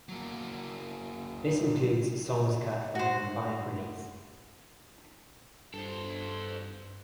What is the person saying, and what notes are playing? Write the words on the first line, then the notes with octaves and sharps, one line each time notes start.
This includes songs cut from the combined release.
F#3 A#3
F#4 C5
G2 A4 C5